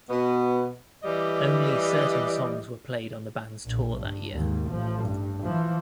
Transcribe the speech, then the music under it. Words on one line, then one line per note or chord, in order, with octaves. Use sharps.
Only certain songs were played on the band's tour that year.
B2 B3
E3 G3 D5 D#5
A#1
G2
D#2 G#2
A1 F3
G2
E3 F3